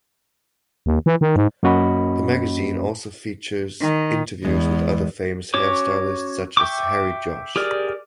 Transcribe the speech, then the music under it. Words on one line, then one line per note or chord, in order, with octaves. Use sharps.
The magazine also features interviews with other famous hairstylists such as Harry Josh.
D#2
E3
D#3
G#2
F#2 A#3 C#4 F#4 D#5 B5
D#3
E2 G#3 B3
C#4 F#4 C#5 D6
E5 G5 C#6 D6
G4 G#4 A#4 D5